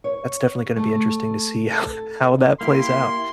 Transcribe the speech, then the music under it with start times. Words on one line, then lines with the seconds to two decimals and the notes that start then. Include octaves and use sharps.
that's definitely gonna be interesting to see how how that plays out.
0.04 C#5
0.76 A3
1.71 A4
2.61 A#3 E4 G4 C6